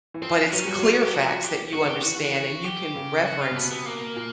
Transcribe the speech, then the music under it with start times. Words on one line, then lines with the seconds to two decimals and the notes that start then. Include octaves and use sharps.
but it's clear facts that you understand, and you can reference
0.14 E3
0.22 F3 C4
0.46 D4
0.53 F#3 C#4
0.65 G3 F#4
0.79 F#3 F4
0.93 F#4
1.03 G4
1.13 F3 F#4
1.43 G4
1.73 D#3 F#4
1.89 G4
2.04 E3 F#4
2.25 F#4
2.64 G4
2.95 C#3
3.25 F#4
3.41 F4
3.51 C3
3.55 B2 B3
3.71 B3
3.86 A#3
4.16 A#2